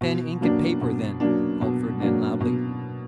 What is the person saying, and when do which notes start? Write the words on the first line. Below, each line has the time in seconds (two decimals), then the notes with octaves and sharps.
"Pen, ink, and paper, then," called Fernand loudly.
0.01 B2
0.41 F#3 A#3 D4
0.81 B2
1.20 F#3 A#3 D4
1.61 B2
2.00 F#3 A#3 D4
2.41 B2